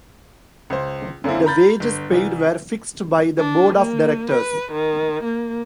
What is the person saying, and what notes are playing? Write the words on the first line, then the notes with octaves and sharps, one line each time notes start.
The wages paid were fixed by the Board of Directors.
C#2 C5
F#2 D3 A#3 C4 E4
A#5 B5 G6 A6
G1
C2 E3
D4
A#3
B4
D#3
A#3